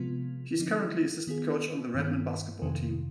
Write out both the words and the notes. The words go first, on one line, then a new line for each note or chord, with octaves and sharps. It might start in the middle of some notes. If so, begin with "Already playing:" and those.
He is currently assistant coach on the Redmen Basketball Team.
Already playing: C3 F3 G#3 B3 F4
D3 F3 C4 D#4
D#3 B3 F4 G#4
G2 D#3 B3
F2 C3 D#3